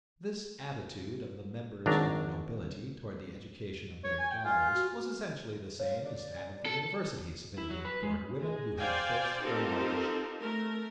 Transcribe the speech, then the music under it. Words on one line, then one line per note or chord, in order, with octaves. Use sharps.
This attitude of the members of the nobility toward the education of their daughters was essentially the same as that of the universities of Italy toward women who had a thirst for knowledge.
G#1 F#3 D4 F#4 A#5
C#5
G#5
G5
F4 G#5
F#4
C#5 F5
D5
A4
E4
F#3
B4
G#3
G#3
C5 D5 F5 G5 G#5
C4 D#4 F4 G4 A4 A#4
A3 A#4